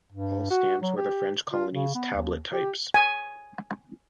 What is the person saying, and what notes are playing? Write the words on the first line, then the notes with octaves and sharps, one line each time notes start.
All stamps were the French Colonies "Tablet" types.
G2
F#4
F#3
G4
F4
C#3
B3
D#2
G4
G#5